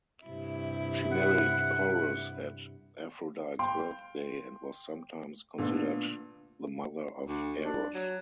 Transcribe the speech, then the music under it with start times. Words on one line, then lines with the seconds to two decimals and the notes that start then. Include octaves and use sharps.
She married Porus at Aphrodite's birthday and was sometimes considered the mother of Eros.
0.24 G2 C3 E4
1.12 F#5
3.59 F5 G5 C6
5.58 A#2 D3 A3 B3
7.26 D2
7.65 D4
7.94 F#3